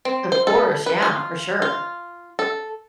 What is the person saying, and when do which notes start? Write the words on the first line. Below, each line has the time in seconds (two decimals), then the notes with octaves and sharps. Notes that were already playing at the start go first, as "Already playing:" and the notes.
of course, yeah, for sure.
0.05 C4
0.32 C5
0.47 A4
0.86 B4
1.02 F4
1.62 F4
2.39 A4